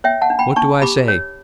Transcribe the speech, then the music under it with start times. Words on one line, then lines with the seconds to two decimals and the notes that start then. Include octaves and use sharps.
What do I say?
0.04 C#5 E5 G5
0.22 F#5 A5
0.30 D4
0.39 G5 B5
0.56 D4 A5 C#6
0.82 G4 B5 D6
1.08 C#5